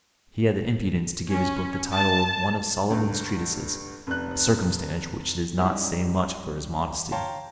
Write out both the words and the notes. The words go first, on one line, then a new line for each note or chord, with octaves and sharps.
He had the impudence to give his book the title of one of Solomon's treatises-- a circumstance which does not say much for his modesty.
C#4
A5
D2 G2
F1 F#6
G3 C#4 D#4 E4
C#5 F5 G5 A5 A#5 C6